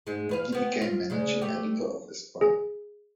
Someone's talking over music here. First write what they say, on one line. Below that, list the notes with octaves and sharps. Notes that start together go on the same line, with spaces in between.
He became managing editor of "Esquire".
G#2 G#3
E2 B4 F5
B3 C4
F4
D2 C#3 G#3
A3 G4
G#4